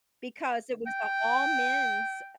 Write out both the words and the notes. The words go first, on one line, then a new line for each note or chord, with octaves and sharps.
because it was a all men's,
G5